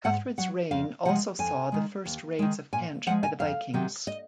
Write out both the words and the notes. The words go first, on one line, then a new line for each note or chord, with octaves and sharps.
Cuthred's reign also saw the first raids of Kent by the Vikings.
G#2 F#5
F#3 F#5
F2 F5
C3 F3 G#3 F#5
F2 G#5
D#3 G#3
D#2
D#3 G#3
A#2 G#5
F3 G#3 F#5
G#5
F2 F5
C3 D#3 F#3
D#5